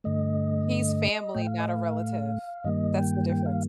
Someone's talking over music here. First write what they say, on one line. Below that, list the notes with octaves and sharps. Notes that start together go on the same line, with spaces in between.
He's family, not a relative. That's the difference.
G2 D3 A3 D#5
A2 A3 G5
F5
D#5
F5
G2 D#3 G3 A#3 D#5
G5
G5
F5